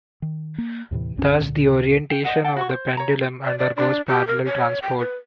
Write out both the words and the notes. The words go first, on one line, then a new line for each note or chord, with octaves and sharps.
Thus the orientation of the pendulum undergoes parallel transport.
D#3
A#3
D#2 A2 C3 E3
B1 F#2 E3 C#4
C#2 A#2 D3
G5
C5 D5 D#5 F#5
F#5 G5 A5
F#4 C#5 C#6
C5
C#5 A#5
D5
D5
D4
G4
A#4
C#5
G5
B4